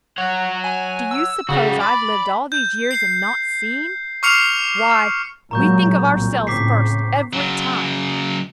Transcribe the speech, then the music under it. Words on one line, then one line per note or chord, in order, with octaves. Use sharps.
Do you suppose I've lived all these years and not seen? Why--we think of ourselves first every time.
C#5 F#5
G#5
E6
C#3 G3 F#4
D5 B5
G6
C7
C#6 D6 F6 C7 C#7 F7
A#2 F#3 G#3 A#5 C#6 G6
C2 A#2
A2 C#3 C4 D6 B6 C7
C#3 F#3